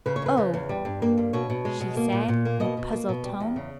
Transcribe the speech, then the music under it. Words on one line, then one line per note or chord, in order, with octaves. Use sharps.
"Oh!" she said in a puzzled tone.
C#3 B4
C#5
E2 B4
C#3
E2
G3
G2
A#3
G2
B2 C#5
B2
G#3
B2
A#3
A#2
A#2
A#3
B2 D#5
B2
A#3
B2
G3
E2
C#3